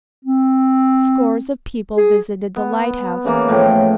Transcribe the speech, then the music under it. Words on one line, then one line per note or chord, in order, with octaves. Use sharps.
Scores of people visited the lighthouse.
C4
G#4
B3
C#3 E3 A#3
A2 F3 G5